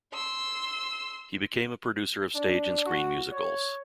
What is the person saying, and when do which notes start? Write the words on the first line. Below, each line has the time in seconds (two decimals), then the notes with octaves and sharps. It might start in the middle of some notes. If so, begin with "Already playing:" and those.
He became a producer of stage and screen musicals.
0.14 C6 E6
2.35 D4
2.86 F#4
3.32 C#5